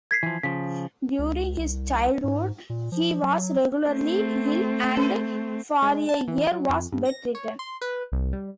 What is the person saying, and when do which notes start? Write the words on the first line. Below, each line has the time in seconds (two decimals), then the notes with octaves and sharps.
During his childhood he was regularly ill, and for a year was bed-ridden.
0.11 G#6 B6 C7
0.23 E3 F3
0.43 C#3 F3 B6
1.19 C#2
1.58 C2
2.24 G#2
2.70 A#2
2.92 F3
3.22 F#3
3.89 A3 C4
5.82 G#3
6.09 A5
6.28 E3
6.52 F#3
6.69 F2
6.92 G2
7.05 A#6
7.35 C#5
7.59 C6
7.81 B4
8.12 C2
8.33 G3